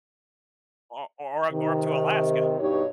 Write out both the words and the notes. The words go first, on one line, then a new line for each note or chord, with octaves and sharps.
Or or or or up to Alaska.
C3 D#3
G2 B2 D#4 G4 C#5